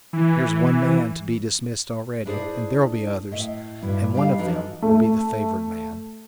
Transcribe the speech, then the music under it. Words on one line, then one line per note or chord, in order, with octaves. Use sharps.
Here's one man to be dismissed already, and there'll be others, and one of them will be the favoured man.
E3
D4 E4 G#4 C5 D5
A2 D#5 E5
G2 D4 E4 F#4
G3 D4 D#4 G4 D5 F5
E3 F3 D4 D#4 F#4 A4
A3